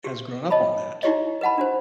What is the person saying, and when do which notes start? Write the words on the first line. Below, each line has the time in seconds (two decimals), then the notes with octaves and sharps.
has grown up on that,
0.04 F#4 G4
0.50 C#5 D#5 A5 B5
1.03 D#4 E4 F#4 G4 C#5 D#5
1.41 B4 D#5 F#5 A5 B5
1.58 D4 F#4 C5